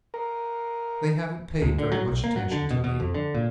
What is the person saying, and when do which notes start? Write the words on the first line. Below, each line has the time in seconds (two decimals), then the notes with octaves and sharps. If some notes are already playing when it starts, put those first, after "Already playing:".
They haven't paid very much attention to me.
0.14 A#4
1.62 D2
1.79 D3
1.92 F#3
2.07 B1
2.24 A#3
2.36 F#3
2.52 D3
2.71 B2
2.84 B2
3.00 F2
3.14 D3
3.34 A#2